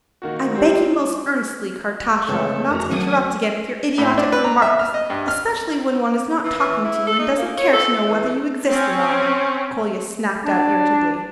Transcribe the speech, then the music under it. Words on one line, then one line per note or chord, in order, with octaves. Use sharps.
"I beg you most earnestly, Kartashov, not to interrupt again with your idiotic remarks, especially when one is not talking to you and doesn't care to know whether you exist or not!" Kolya snapped out irritably.
D#3 A#3 F#4
G3 C4 C#4
C#3 G#3 A3 C4 A4 B4 C#5 G5
F2 F#4 A#4 A#5
F#3 A3 G#5 D#6
A2
D4
B4
A#5
E5
F6
D#5
G2
F6
E3
E3
E4
A4
D#4
A#3
C#5
A4
E4
E3
C4 C#4
D4